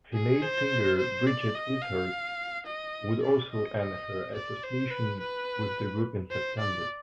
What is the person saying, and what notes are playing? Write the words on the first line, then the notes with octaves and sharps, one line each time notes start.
Female singer Bridget Wishart would also end her association with the group in September.
G#4
C5
C5
D5
D#5
F5
D#5
D5
D#5
D#5
D5
C5
B4
B4
C5
D5